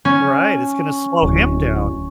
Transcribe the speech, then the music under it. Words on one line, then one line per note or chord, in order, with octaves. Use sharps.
right, it's gonna slow him down.
C#4
D1